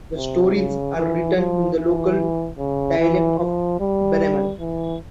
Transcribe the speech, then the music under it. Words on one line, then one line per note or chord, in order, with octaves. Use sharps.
The stories are written in the local dialect of Bremen.
C3
C#3
E3
F3
E3
C#3
E3
F3
G3
E3